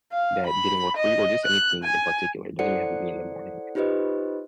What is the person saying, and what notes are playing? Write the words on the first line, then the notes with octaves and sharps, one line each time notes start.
that didn't work for you? Or just anything in particular, it doesn't even have to be in the morning.
F5
B5
D#5
F#6
G#5
E4 A4 C5 D5 F#5 C#7
D#4 F4 G4 B4 C5 D#5